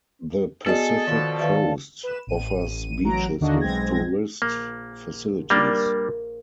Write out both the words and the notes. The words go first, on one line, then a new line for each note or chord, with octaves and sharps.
The Pacific coast offers beaches with tourist facilities.
B3 F#4 G#4 A4 D5 D#5
B2 D#3 F3 D5
D#3 B4 D5 E5 F5
B4 E7
A1 D#7
A1 F#3 A#5 D7
D#2 D3 A#3 D4 F#4 D#5
B1 G#3 C4 G#6 A#6
A#1 A#3
G3 A#3 D4 A#4